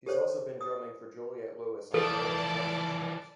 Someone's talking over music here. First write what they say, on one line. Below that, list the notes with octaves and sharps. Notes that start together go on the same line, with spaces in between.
He's also been drumming for Juliette Lewis on various tours and shows.
G4 A4 C5 C#5
D#6
E3 F3 A4 D5 A5 D6